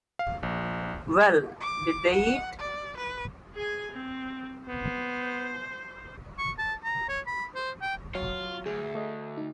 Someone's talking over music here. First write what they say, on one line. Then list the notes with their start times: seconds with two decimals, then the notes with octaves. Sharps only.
Well, did they eat.
0.19 F5
0.43 A#1
1.60 D6
2.12 F#5
2.59 D5
2.97 B4
3.55 G#4 G#5
3.91 C4
4.68 B3 C5
6.38 C#6
6.58 A5
6.84 A#5
7.09 C#5
7.27 B5
7.55 C5
7.81 G5
8.15 F#3 F4 C#5
8.66 D2 G#4
8.95 A3 D#5
9.37 D#4